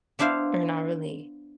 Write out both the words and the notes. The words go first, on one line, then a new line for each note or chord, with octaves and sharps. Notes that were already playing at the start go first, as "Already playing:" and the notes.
Or, not really?
B3 D4 E4 C5 F5